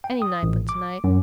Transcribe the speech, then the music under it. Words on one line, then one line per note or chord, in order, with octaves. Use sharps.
Any night but to-night.
G5
D#6
A1
D6
F#2